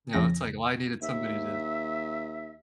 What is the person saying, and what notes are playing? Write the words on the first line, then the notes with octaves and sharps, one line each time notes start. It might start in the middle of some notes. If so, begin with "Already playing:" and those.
you know, it's like, well, I needed somebody to
F2 C#3 A#6
D#2 E5